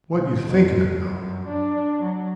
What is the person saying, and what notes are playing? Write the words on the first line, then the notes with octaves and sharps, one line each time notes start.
What you thinking about?
B1
F2
F#2
D4
F#3